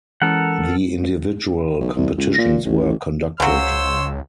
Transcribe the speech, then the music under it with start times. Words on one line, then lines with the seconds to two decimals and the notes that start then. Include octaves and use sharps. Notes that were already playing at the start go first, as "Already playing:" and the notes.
The individual competitions were conducted.
0.22 E3 G#3 C#4 A4 A#4 F#5
1.80 B1
1.96 C2
2.17 C#2
2.38 A#2
2.65 A1
3.40 C#2 C#3 F#3 C5 C#5 C6 E6